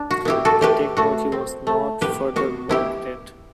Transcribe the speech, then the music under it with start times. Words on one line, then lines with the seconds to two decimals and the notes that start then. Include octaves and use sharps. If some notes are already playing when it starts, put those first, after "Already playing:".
The technology was not further marketed.
Already playing: D4
0.11 F#4
0.25 B3 E4 G4
0.45 F#4 A4
0.61 A3 G4 B4
0.97 A3 F#4
1.32 C4
1.67 A3
2.01 B3 G4 B4
2.36 B3 F#4
2.69 B3 E4 G4